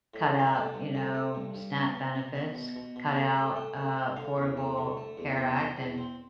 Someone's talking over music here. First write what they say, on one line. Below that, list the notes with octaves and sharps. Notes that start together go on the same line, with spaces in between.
cut out, you know, SNAP benefits, cut out, uh, Affordable Care Act and
A2
C4
F5
E5
A3 D5
G2
A3
A3
G2
G2
B3
B3
B3
B3 E5
B2
B2
B2
A3
A3
A3 G5
A3
C4
D3 F5
E2
A3
D3
A3
E2
B2 B4
C4
E2
C4